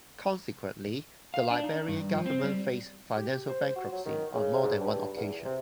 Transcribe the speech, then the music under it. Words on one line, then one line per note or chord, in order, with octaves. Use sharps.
Consequently, the Liberian Government faced financial bankruptcy on more than one occasion.
F5
D4
D#4
G2
F3
C4
G3
G4
C5
F#4
F#3
D#3
C#3
G#2
G2
E2
C3